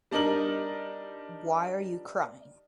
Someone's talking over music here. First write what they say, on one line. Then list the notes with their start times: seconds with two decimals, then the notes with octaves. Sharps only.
Why are you crying?
0.11 G3 D4 D#4 A#4 F#7